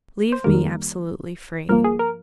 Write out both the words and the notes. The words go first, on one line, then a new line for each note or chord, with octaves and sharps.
Leave me absolutely free.
C5
F2 D#3 G3 A#3 A#4
G2 F3 A#3 A#4
G#4
A#4